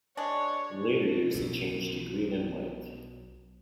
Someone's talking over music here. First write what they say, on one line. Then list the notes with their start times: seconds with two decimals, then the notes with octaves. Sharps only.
In later years it changed to green and white.
0.17 G#3 D4 C#5
1.35 B1 B2